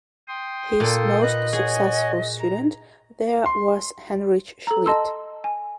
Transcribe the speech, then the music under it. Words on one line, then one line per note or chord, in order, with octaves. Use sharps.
His most successful student there was Heinrich Schlitt.
G5 C6 D#6
A#2 A4
B4 D#5 F#6
G#4 C#5 F#5 G#5
A#5
C6
A4 A#5
D#5 A5 C6 E6
G#5